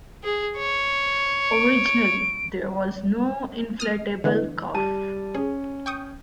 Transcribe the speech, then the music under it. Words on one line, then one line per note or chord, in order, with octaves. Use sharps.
Originally, there was no inflatable cuff.
G#4
C#5
D7
D#6 F6
D3 E3 B3
G3 A5 D#7
C#4 G#4
G5 C#6 D#6